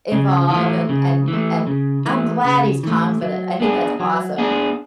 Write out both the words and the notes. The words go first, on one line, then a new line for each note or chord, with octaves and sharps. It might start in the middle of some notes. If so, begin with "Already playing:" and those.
evolve, and and and I'm glad he's confident, I think that's awesome,
C#3
E3 A3
C#3
E3 A3
C#3
E3 A3
C#3
E3 A3
F#3
B3 D4 G#4
F#3
B3 D4 G#4